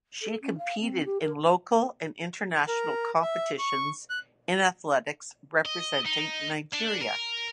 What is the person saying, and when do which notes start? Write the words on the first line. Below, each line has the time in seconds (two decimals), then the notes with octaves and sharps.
She competed in local and international competitions in athletics representing Nigeria.
0.21 A4
0.41 C#4
0.57 F5
0.80 C4
1.05 G4
1.20 A#4
2.68 A#4
3.22 E5
3.59 C#6
4.10 F#6
5.66 D#5
6.06 D#4
6.73 D4
7.01 A#4